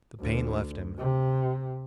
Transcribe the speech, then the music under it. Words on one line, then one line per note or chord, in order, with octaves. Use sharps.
The pain left him.
D2
C3